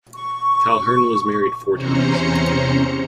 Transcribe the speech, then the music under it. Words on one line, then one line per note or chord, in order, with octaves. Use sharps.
Calhern was married four times.
C#6
E2 C3 C#4 C5 A#5 C#7